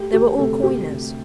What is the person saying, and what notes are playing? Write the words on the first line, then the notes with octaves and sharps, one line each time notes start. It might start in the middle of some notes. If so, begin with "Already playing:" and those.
They were all coiners.
Already playing: A3 G4
D2 G4
C3 A3 A4
D2 G4
D2